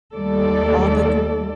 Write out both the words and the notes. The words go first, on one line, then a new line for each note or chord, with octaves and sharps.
all the g
D#2 G3 A3 A4 D5